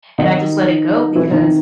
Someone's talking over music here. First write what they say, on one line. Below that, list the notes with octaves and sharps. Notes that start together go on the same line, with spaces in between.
And I just let it go because
D#3 D#4
E3 E4
D#3 D#4